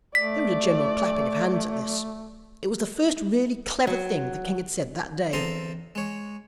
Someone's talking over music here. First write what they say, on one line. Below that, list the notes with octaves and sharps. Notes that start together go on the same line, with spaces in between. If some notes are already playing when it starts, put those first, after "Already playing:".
There was a general clapping of hands at this: it was the first really clever thing the King had said that day.
A3 D5 B6
F#3
E2 C4 A4 A#5 C6 D#6
G#3 C#5